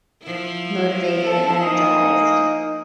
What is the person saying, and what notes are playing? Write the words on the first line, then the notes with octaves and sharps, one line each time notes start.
motivated and energized.
F3 E4
A4
A#3 D#4 G#5 D#6